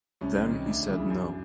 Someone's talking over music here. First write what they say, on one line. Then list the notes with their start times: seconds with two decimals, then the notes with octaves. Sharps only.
Then he said no.
0.21 C2 C#4
0.44 C3 D#3
0.65 D2 D4
0.87 C#3 E3
1.10 F#2